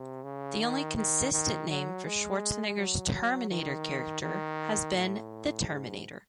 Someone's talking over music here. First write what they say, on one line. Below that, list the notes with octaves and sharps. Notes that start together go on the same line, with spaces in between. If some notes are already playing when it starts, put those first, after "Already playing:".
The only consistent name for Schwarzenegger's Terminator character has been "The Terminator".
Already playing: C3
C#3
D#3
D#3
D#3
F#3
G#3
F#3
F#3
D#3
D#3
A2
G#2